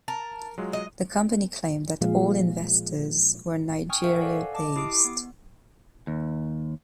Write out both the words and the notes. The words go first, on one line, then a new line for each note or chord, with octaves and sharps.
The company claimed that all investors were Nigeria-based.
A#4 A5
F#3 G#3 F4
D#5
A#2 F3 G#3 G#4 F5
G5 G#5 C#6 D#6 F6
A#4 C5 E5 F#5 C#6 F6
A4 D5 F5 F#5 G#5
D#5 A5 D6
E4 G4 D6 D#6 C7 D7
B3
D#2